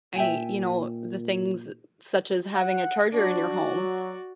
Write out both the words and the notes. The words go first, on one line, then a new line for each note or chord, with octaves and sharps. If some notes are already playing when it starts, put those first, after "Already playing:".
I you know, the things such as having a charger in your home.
A#2 E5 G5 G#5
F#5
D4 F#4 D5
F#3